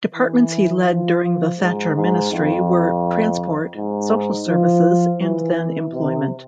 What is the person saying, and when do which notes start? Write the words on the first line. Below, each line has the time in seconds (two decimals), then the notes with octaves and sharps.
Departments he led during the Thatcher ministry were transport, social services and then employment.
0.15 E3
0.87 F3
1.59 G#2
1.95 G#2
2.32 F2
3.76 G#2
4.48 F3
5.20 E3
5.93 C3